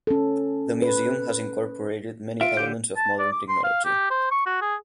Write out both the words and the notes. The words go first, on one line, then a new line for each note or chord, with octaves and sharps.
The museum has incorporated many elements of modern technology.
C#4 A4
B4
F4 E5 D7
D3 G4 G6
A5
D5
D6
C6
F5
G4
C5
C#6
F#4
G#4